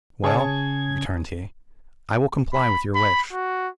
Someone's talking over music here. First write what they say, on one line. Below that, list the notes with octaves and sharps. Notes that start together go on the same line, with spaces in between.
"Well," returned he, "I will comply with your wish."
C#3 G#4 C#5 A5 G#6
B5
B5
F#4